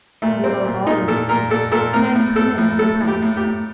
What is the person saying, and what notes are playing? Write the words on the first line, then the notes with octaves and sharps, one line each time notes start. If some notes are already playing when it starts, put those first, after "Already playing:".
You loaf all the morning, and now you come in out of breath.
A#2 A3
A#2 C4
A#2
A#2 D#4
A#2 A4
A#2 A#4
A#2 A4
A#2 A4
A2 A#4
A2
A2 A4
A2
A2 A4
A2
G4
A2
G4
A2